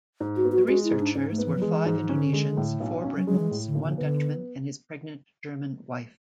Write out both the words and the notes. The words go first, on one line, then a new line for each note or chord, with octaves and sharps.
The researchers were five Indonesians, four Britons, one Dutchman and his pregnant German wife.
G#2
F#4
B3
F#4
G#3 F#4
E4
G#2
D4
G#2 C#4
A3
B3
E3
F#3
E3 G#3
G#2
E3
D3 C#4
G#3
A2
B1
C#4
F#3
F#3 G#3
E3
A2
D3
B1
D3
D3 B3